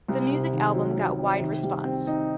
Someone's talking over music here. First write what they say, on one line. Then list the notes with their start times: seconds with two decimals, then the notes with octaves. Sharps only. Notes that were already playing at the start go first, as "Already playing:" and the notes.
The music album got wide response.
0.08 C2
0.30 C3
0.53 D#3
0.74 F#3
0.96 C2
1.19 C3
1.41 D#3
1.63 G3
1.85 C4
2.07 D#4